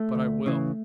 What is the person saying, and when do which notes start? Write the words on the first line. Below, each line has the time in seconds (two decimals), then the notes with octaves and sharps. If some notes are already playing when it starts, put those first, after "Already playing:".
But I will.
Already playing: A3
0.15 D2
0.46 C#3 E3